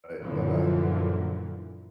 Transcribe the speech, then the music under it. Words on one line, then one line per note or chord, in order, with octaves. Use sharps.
Alright, bye-bye.
F#2 A#2 D3 E3 F3